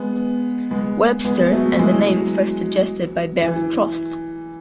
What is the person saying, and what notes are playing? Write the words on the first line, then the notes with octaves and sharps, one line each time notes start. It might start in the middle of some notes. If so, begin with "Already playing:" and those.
Webster and the name first suggested by Barry Trost.
Already playing: G#3 B3
G#3 B3
G#3 B3
F#3 A3
E3 G#3
F#3
E3